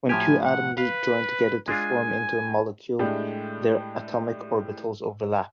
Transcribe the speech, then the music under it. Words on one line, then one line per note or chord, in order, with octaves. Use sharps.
When two atoms join together to form into a molecule, their atomic orbitals overlap.
A2 F3 G4 G#5
F#5
B4 F5
G#3 D4 F4 G#5
A2 G#3 D4 E4 G4